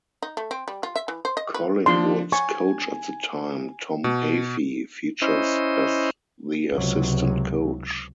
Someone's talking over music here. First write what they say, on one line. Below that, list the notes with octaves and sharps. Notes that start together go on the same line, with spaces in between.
Collingwood's coach at the time, Tom Hafey features as the assistant coach.
D#4
A3
C4
G3
F4
E5
E3
C5
D#5
B4
F3 D4 C6
G#5 C#6
B2
C#4 E4 C5 D#5
C#2 C3 F#3